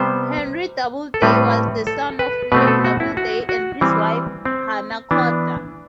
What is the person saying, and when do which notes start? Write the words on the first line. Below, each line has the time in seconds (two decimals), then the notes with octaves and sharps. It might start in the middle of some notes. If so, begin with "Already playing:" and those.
Henry Doubleday was the son of William Doubleday and his wife Hannah Corder.
Already playing: C3 G3 B3 C5
1.14 A4
1.22 A2 G3 C4 B4
1.87 A4
2.19 B4
2.52 B2 A3 C4 B4
2.67 A4
2.84 F#4
3.00 E4
3.17 F#4
3.49 F#4
3.81 E3 G3 C4
4.45 C4
5.11 E3 B3 D4